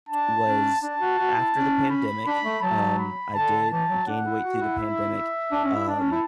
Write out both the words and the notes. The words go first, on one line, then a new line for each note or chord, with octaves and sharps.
was after the pandemic, um, I did gain weight through the pandemic. Um,
D4 A5
C#4
D4 A5
F#4
F#4
E4
C#4
B5
D4 B5
A3
F#3 A5
B5
D3 A5
E3 A5
F#3
D4 F#5
E4
F#4
E4
E5
D4
C#4
E4
D4 A5
C#4
E4